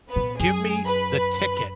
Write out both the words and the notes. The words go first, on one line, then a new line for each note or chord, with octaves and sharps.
give me the ticket,
B3 B4
A#2
F#2 G#4 G#5
B4 B5
B4 B5